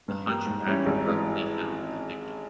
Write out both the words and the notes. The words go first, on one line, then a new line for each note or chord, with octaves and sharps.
The hunchback abruptly found a victim.
G2
G3 A#3
G#2
G3 C#4 E4 G4
G#1
E3 G#3